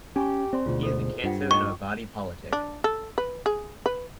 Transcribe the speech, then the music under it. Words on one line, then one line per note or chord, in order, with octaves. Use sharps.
He is a cancer in our body politic.
C#4 G4 G#5 A#5 C#6
C4 C5 D5 C6
D2 G#2 B2 F4
A4 C5
G2 F4 F#5 G5
D#4 G5 C#6 D6
D4
A4
B4
G#4
B4